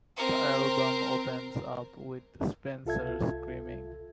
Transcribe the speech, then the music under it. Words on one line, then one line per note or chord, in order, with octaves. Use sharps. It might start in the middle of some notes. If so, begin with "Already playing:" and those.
The album opens up with Spencer screaming.
C4 A#4
C2 F4 A4 E5 G#6